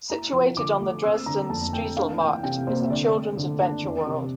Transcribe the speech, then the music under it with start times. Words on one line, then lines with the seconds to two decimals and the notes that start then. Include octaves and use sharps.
Situated on the Dresden Striezelmarkt is a children's adventure world.
0.10 E4 A#5
0.33 F3
0.56 D3 D6
0.80 A3
1.04 C4 E6
1.26 D3 A#5
1.50 F2 A5
1.73 A3 G5
1.96 D4 F5
2.20 E3 G5
2.43 C3 G5
2.67 A#3 C5
2.83 E5
2.90 D3 D5
3.13 A3
3.37 D3
3.60 D4
3.83 E2
4.07 C3